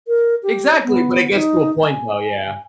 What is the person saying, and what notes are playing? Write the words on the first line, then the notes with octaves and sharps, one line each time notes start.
Exactly, but it gets to a point though, yeah.
A#4
G4
B3
D#4
G#5